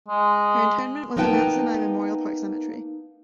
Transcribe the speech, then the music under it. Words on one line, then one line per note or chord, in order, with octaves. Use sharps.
Her interment was at Mount Sinai Memorial Park Cemetery.
G#3
A#3 B3 D#4 B4 G5 A5